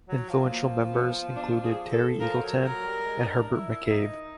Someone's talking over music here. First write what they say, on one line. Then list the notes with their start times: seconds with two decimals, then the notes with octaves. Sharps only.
Influential members included Terry Eagleton and Herbert McCabe.
0.09 F#3
0.29 F3
0.51 A#3
0.93 B3
1.36 D4
1.65 G#4
1.92 A4
2.21 F3 A#4
2.36 F3
2.42 F#3
2.64 F#3 A#4
2.85 G3
3.06 G#3
3.20 D#4
3.27 D4
3.49 E4
3.70 E4
3.85 E4
3.91 D#4